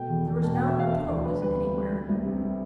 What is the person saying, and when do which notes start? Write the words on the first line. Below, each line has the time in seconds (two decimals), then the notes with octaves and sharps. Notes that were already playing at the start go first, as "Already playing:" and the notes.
There was no repose anywhere.
Already playing: B2 A3 G5
0.09 E2
0.26 E2
0.42 B2 A5
0.54 G5
0.59 B2
0.67 E5
0.75 E2 F5
0.91 D2 E5
1.08 E3 D5
1.25 D2 B4
1.42 G3 B4
1.59 C3
1.76 G3
1.92 G3
2.09 C2
2.25 C3
2.41 G3